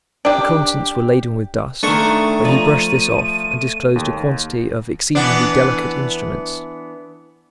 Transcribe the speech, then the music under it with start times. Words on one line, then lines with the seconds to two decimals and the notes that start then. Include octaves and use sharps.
The contents were laden with dust, but he brushed this off and disclosed a quantity of exceedingly delicate instruments.
0.25 D4 G4
1.83 A#2 D#3 A3 D4 C#6 D#6
2.45 F3 D5 A#5 D#7
3.96 D#2
5.15 E3 B3 D4